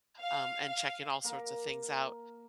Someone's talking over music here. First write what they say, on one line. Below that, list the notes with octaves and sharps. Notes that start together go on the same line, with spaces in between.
um, and checking all sorts of things out.
F5
F5
A#3 A#4